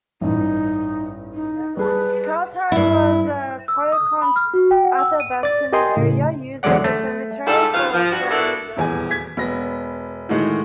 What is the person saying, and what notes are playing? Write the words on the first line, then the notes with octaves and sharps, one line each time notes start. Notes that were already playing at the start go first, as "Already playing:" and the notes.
Kaltag was a Koyokon Athabascan area used as a cemetery for surrounding villages.
A1 G2 D#4
D#4
G3 G#4 B4 A5
G2 E4
E6
D#6
B5
F6
F#4
G5
F#5
E6
D#7
D5 A6
G4 A#4 D#5 G5 G#5 C6
A2 C#3
E2 D3 F#3 G#3 D5 F#5
A3
G#2 G3 F4 A4
D#2 C#3 F3 C#4 B4 F5
F3
G2 F#4
B3 D4 E4 F#4 A4 A#4
D#1 E2 G#5
G#6 B6
E1 B3 A#6
A2 D3 D#3 G#3 A3